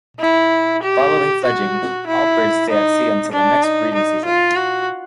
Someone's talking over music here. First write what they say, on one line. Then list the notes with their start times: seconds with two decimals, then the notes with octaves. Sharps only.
Following fledging, all birds stay at sea until the next breeding season.
0.20 E4
0.83 G4
1.45 F#4
2.07 E4
2.70 D#4
3.32 D4
3.63 D#4
3.94 D#4
4.26 F4
4.56 F#4